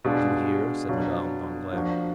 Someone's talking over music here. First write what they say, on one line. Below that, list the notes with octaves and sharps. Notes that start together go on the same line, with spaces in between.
"Did you hear?" said Madame Danglars.
B2 G#3 D4 F4
B2 F#3 D4 F4
F3 A#3 D4 F#4